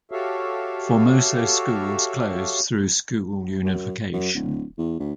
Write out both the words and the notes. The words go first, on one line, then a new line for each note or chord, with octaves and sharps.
Formoso schools closed through school unification.
F#4 G4 A4 C#5 E5 F5
F#2
F#2
D1
E2
D2